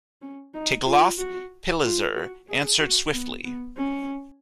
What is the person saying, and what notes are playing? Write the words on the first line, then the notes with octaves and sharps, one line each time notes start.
Tiglath-Pileser answered swiftly.
C#4
D#4
F4
F#4
F4
F#4
G#4
F#4
B3
B3
C#4